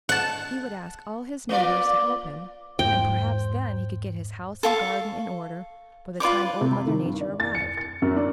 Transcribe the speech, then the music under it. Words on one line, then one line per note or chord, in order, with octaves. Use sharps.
He would ask all his neighbors to help him, and perhaps then he could get his house and garden in order by the time Old Mother Nature arrived.
F#5 A5
A#3 F4 D5
E2 G#2 C5 G5
A4 F5 C#6
F4 B4 D5 D6
C3
B5
D#3
G2
D5
A6
C#7
A6
F#2
D4